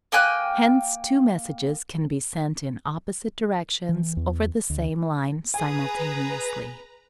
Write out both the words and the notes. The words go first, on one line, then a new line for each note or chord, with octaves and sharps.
Hence, two messages can be sent in opposite directions over the same line simultaneously.
A#3 G5 G#5 F#6
E3
E2
D2
G#4 B4 G#5 A#5 D#6